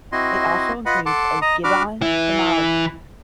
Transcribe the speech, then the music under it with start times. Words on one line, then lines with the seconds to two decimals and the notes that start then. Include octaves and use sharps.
It also includes "a Gibbon chronology".
0.12 C4 E4 F#4 D#5 C6
0.86 F4 B4 D#5 F#5 B5
1.06 A4 F#5 A5 C6 D6
1.42 D#5 A#5 D#6
1.64 D4 F#4 B5 D6 F6
2.02 E3 E4